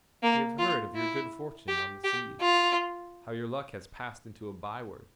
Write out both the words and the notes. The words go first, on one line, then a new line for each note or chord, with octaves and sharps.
We have heard of your good fortune on the seas--how your luck has passed into a byword.
A#3
F4
E4
G4
G4
F4